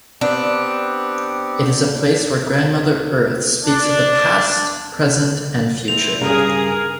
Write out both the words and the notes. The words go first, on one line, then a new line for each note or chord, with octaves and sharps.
It is a place where Grandmother Earth speaks of the past, present and future.
B3 C4 D4 G4
D4
E2 C4 F7
G2 C#3 G#4 A#4